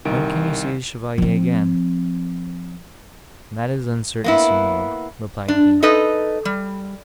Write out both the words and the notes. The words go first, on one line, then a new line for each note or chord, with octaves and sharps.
When can you see the Chevalier again?' 'That is uncertain, Signora,' replied he.
C2 D#3 D7
F3 C4
A#3 B3 E4
D4
D#4 A4 B4 D#5
G3